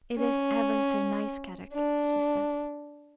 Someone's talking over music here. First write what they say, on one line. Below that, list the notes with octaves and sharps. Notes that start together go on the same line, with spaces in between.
"It is ever so nice, Kadok," she said.
C#4
D4